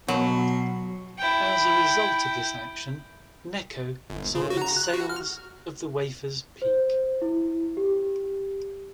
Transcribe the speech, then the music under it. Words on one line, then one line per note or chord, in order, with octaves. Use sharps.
As a result of this action, Necco saw its sales of the wafers peak.
B2 F#3
E4 G5
G1
C#3
F#4
A#5
F#6
F#4
F6
C5
E4
G4